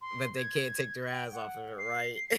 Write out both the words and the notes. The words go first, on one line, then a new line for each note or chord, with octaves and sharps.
but they can't take their eyes off of it, right?
C6
G#6
G5
F#5
C7